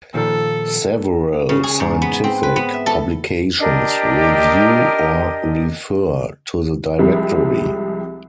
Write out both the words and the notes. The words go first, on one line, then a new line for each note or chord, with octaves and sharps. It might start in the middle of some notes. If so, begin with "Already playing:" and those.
Several scientific publications review or refer to the directory.
A#2 D#3 F3 A4
C#3
G#4
G#2
B3
C4
B4
B3
E5
A4
D4 G4 A#4 D#5
C2 C3 F3 G3 G#3